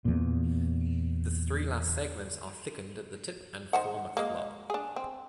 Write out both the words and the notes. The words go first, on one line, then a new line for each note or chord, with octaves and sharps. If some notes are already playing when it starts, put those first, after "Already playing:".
The three last segments are thickened at the tip and form a club.
E2 A#2
D#3 C5 F#5
G#3 A#3
D4 G#4
C4